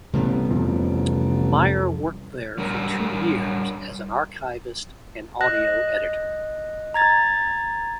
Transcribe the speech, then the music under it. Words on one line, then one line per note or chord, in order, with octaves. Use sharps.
Mayer worked there for two years as an archivist and audio editor.
A1 C3 G3 B3
C2 F2 F3
G3 D4 A#4 C#5
D#5 F#6
A#5 G#6 A6